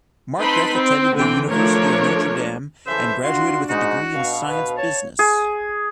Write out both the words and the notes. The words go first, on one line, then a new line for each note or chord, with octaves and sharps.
Markgraf attended the University of Notre Dame and graduated with a degree in Science-Business.
C4 D#4 B4 A5 B5 C6
C4
D3 E3 C4 D4 G5
F3 A3 D4 A#4 C#5
C#3 E3 A4 C5 E5
D4 F4 F#4 C6
G#2 G#3 D#4 F#4
B2 F5 C#6
B4 F5
C#5 A5
G#4